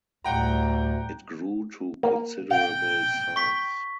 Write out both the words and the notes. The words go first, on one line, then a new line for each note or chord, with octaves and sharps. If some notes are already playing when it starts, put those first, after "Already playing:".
It grew to considerable size.
D2 A2 G3 F#5 G5 A#5
A#3
F5 G5
C#6 B6